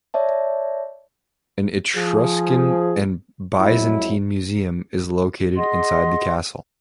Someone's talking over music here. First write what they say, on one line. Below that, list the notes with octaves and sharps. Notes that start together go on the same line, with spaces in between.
An Etruscan and Byzantine museum is located inside the castle.
C#5 D5 E5 A5
F3 G#4
F2 F#3 G#3 E4
G#4 D#5 F#5 C6